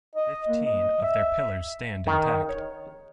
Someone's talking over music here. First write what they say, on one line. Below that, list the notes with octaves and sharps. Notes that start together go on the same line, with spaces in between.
Fifteen of their pillars stand intact.
D#5
A#3
D#5
E5
D#3
C#5